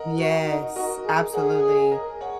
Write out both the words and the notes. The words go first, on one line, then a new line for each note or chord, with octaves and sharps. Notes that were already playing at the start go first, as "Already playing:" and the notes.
Yes, absolutely.
Already playing: A#4 D#5 F#5
F#4
D#4
F#4 A#4 D#5
G#4
G#4 C#5 F#5
A#4 D#5
C#5 F#5